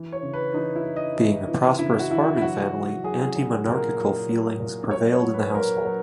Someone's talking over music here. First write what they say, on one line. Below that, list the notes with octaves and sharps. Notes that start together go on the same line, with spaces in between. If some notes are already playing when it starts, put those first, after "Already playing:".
Being a prosperous farming family, anti-monarchical feelings prevailed in the household.
Already playing: E3
C#5
C#3
B4
E3 D#4
E4
E3
D#5
E3
E3
C#3 E4
F#4
E3 E4
E4
F#3 F#4
F#3
F#3 G#4
F#3
A#2 A#4
F#3
F#3
A#2
F#3 C#5
C#5
F#3
B4
F#3 A#4
F#3